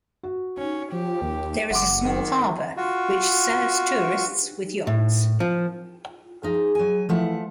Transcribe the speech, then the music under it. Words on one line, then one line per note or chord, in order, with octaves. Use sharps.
There is a small harbour which serves tourists with yachts.
F#4
C#4
F3 G4
D#2
F#1 F#5 C6 D6
D#3
F4 F#4
A2
F3
F3 D#4 G#4
F#3 G#5
E3 F3 A3 F#5